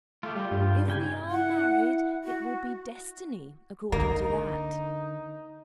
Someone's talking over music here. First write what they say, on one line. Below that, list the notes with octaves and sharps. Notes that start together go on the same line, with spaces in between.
'If we are married, it will be destiny, according to that.'
A3 F4 G4
G3
G2
C#3 G5 G#5
E4 F#5
F#4
D3 A#3 D#4